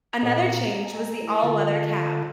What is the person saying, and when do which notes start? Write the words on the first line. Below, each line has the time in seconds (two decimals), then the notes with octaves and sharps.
Another change was the all-weather cab.
0.23 A#2 C4 F#4 A4 D#5
0.44 A#4
0.84 D#5 G#5 A5
1.22 A3 E4
1.43 D3 F4 A4